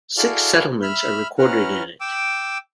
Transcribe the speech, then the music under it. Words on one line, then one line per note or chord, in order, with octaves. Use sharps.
Six settlements are recorded in it.
E4 F#4 G#4 A4 D5 F5
E5 B5 F6
C#4 E4 B4 F#5 A#5 F6
G5 D6 E6